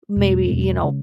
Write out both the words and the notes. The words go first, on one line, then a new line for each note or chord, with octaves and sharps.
maybe, you know,
E2 B2 G#3
E2 B2 G#3
C#3 G#3 C#4